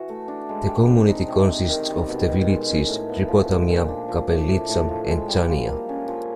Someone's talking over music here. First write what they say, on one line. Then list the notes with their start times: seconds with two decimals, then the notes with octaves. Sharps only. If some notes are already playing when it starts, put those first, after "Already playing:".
The community consists of the villages Tripotamia, Kapellitsa and Chania.
Already playing: E3 F#4
0.09 A3
0.28 D4
0.49 G#3
0.68 G4
0.88 C4
1.09 D#4
1.28 C3
1.49 C4
1.69 D#3
1.89 G3
2.09 B2
2.28 B2
2.48 G#3
2.69 C#4
2.88 A2
3.09 B3
3.28 F3
3.49 G#3
3.69 A#2
3.88 D4
4.08 F3
4.28 A3
4.48 A2
4.69 A2
4.89 F3
5.08 G#3
5.28 G3
5.49 F4
5.68 A#3
5.89 C#4
6.08 F3